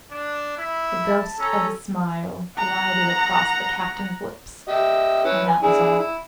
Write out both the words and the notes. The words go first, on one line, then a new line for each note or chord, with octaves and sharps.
The ghost of a smile glided across the captain's lips, and that was all.
D4
E4
A5
C#4 A4 A#5
F#5 A#5
G4 D#5 E5
C#4 E4 B4
G#5
D4 E4 G#4
E4